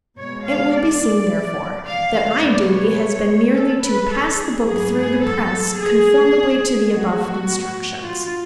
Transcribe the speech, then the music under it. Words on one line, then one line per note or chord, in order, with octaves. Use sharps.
It will be seen, therefore, that my duty has been merely to pass the book through the press conformably to the above instructions.
B2 G#3 B3 C#5
F5
D5
F5
B2 G#3 B3 D5
C#5
A4
B4
A4
G#4
G#2 F#3 B3 G#4
G#4
A4
G#4
A2 F#3 B3 F#4
F4